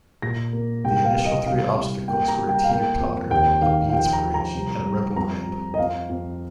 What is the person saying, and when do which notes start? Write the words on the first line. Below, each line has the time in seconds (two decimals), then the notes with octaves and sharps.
The initial three obstacles were a Teeter-Totter, a Beanz Bridge, and a Rebel Ramp.
0.22 A#2 A#6
0.53 A#3
0.84 C2 G5
1.05 F5
1.15 C3
1.25 D#5
1.46 C2 F5
1.77 C2
2.08 A#3 G5
2.28 A#5
2.38 G3
2.49 G5
2.64 F5
2.70 A#3 G5
3.00 F2
3.31 D#2 G5
3.62 D#3 F5
3.89 F5
3.92 F3 G5
4.13 A#5
4.24 F3
4.34 A#5
4.55 C2
4.85 G3
5.16 F2 A#5
5.47 F2
5.74 D#5
5.78 F2 F5
6.09 F2